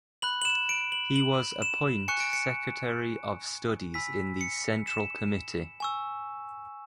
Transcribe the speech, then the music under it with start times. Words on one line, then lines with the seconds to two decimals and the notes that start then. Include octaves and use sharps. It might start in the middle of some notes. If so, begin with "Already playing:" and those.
He was appoint Secretary of Studies in the Central Committee.
0.22 B5 F#6 F#7
0.42 F#7
0.45 E7
0.69 D7
0.92 F#7
1.16 F#7
1.62 E7
2.08 G#5 C#6 F#6 C#7
2.20 D7
2.33 C#7
3.94 G#5 B5 E6 B6
4.41 C#7
4.87 E7
5.80 G#5 C#6 E6